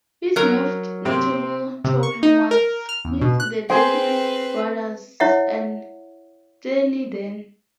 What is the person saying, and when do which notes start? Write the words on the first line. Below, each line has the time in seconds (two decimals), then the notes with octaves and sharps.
His most notable touring was with the Doobie Brothers and Steely Dan.
0.36 F#3 A#4 A#5
1.05 C3 C4
1.84 C3
2.03 C#6
2.23 D#4
2.51 A#4
2.89 F6
3.05 E2
3.21 B2
3.40 F#6
3.70 C4 G#4 B4 C5 G5
5.20 E4 C#5 E5 F#5